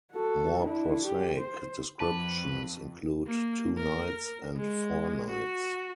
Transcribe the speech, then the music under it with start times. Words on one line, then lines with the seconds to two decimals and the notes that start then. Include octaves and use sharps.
More prosaic descriptions include Two Knights and Four Knights.
0.12 F#4 A4
0.62 D4 E4
1.05 G4
1.40 C5
2.00 F2 B4 A5 D6
3.27 A#3
3.77 A#4
4.56 G#3
5.30 F#4